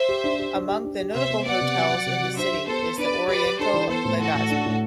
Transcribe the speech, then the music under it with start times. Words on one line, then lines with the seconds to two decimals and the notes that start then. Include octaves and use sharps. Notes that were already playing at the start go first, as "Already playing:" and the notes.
Among the notable hotels in the city is The Oriental Legazpi.
Already playing: C5 E5
0.09 G4
0.24 D4
0.39 G4
0.54 D4
0.69 G4
0.85 D4
1.00 G4
1.15 C3 C5 E5
1.30 B3
1.45 B3 D5 F#5
1.61 C3
1.76 F#3
1.91 F#3
2.06 C3
2.22 F#3
2.37 D4 C5 E5
2.52 G4
2.67 B3 A4 C5
2.82 B3
2.98 D4 B4 D5
3.13 G4
3.28 G4 B4 D5
3.43 G4
3.59 D4 A4 C5
3.74 E3
3.89 B3 A4 C5
4.05 A2
4.20 E3 F#4 A4
4.35 A2
4.50 D4
4.66 A2